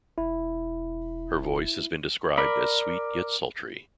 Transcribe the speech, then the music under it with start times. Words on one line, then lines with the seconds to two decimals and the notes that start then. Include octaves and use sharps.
Her voice has been described as sweet yet sultry.
0.18 E1 E4
2.38 A#4 D5 B5